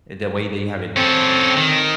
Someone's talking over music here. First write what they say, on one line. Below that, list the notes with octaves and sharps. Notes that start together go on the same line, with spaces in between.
The way that you have it
C4 C#4 A4
D#3